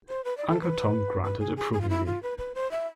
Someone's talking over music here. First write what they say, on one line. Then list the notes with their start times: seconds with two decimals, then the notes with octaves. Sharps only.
Uncle Tom grunted approvingly.
0.09 C5
0.25 B4
0.37 D5
0.49 A4
0.62 B4
1.24 B4
1.40 G#4
1.57 G#4
1.73 G#4
1.81 F4
1.90 E4
2.06 F4
2.23 B4
2.38 B4
2.55 C5
2.71 E5